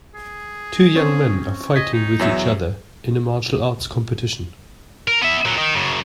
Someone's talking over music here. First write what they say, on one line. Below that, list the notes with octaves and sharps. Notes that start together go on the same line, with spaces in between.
Two young men are fighting with each other in a martial arts competition.
G#4
C4 C#4
D#5 G#6 B6
D#4
E2 F#3 E5
A#4
B3 E5
A#2 F#3
D#3
F#2 C#3